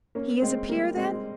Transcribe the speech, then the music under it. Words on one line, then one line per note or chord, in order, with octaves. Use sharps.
"He is a peer, then?"
A#3 C#4
G#3 C4
G3 A#3
G#3 C4